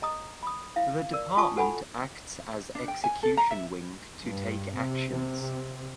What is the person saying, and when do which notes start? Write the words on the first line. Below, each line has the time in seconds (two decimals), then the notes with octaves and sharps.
The department acts as execution wing to take actions.
0.02 D#5 A#5 D#6
0.43 B5 D#6
0.76 E4 E5 F5
1.13 A#4 D5 E6
1.37 F4 G#5 A5 C#6 D#6
1.56 F#4 A4 F#5 G#5 B5
2.75 D4
2.88 G5
3.04 G#5
3.23 A4
3.37 A#5
3.51 E5
4.25 G2
4.75 C3
5.10 C3